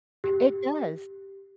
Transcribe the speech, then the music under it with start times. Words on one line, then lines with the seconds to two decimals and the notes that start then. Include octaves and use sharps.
It does.
0.24 G4